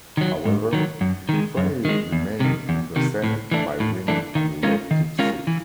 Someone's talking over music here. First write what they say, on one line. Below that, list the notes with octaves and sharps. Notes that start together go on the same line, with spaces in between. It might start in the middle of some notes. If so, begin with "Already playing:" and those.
However, Frei remained in the Senate by winning an elective seat.
D#3 F#3
G#2
D#3 F#3
F#2
D#3 G#3
F#2
D#3 G#3
E2
C3 D#3
E2
C3 D#3
A2
E3 A3 D4
A2
E3 A3 D4
D#3
G#3 C#4 F4 A#4
D#3
G#3 C#4 F4 A#4
E3